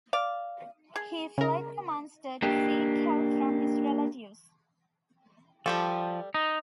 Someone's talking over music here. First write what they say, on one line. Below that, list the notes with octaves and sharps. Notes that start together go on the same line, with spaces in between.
He fled to Munster to seek help from his relatives.
D5 F5
G#4
C#3 A#4
A#3 D4 G4
F3 G3 G4 A4
D#4